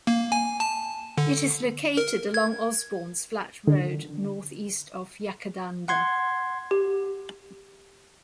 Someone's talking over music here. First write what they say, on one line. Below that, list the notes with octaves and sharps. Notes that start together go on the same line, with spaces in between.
It is located along Osbornes Flat Road, north-east of Yackandandah.
A#3
G#5
A5
D3
A#4
G#6
D3
F#5 C6 G#6
G4